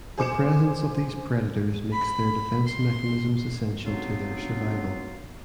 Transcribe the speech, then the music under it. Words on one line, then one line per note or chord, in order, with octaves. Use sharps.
The presence of these predators makes their defense mechanisms essential to their survival.
G#4 C5 D6 C#7 E7
B5
C6
F#3 B3 C4 D4 D#4 F4